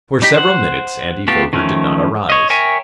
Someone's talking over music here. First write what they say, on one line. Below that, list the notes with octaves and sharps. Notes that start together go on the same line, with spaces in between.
For several minutes Andy Foger did not arise.
G3 D#4 G4
C5 F#5
A3 B3 F4 G4
D#3 F3 A3 C#4
C#5 D#5
A#4 C#5 E5 G5 G#5